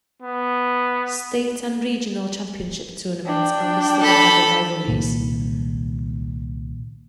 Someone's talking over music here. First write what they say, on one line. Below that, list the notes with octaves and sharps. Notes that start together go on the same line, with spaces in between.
State and regional championship tournaments are listed ahead of rivalries.
B3
D4 G5
A4 B5
C2 A#2 D#3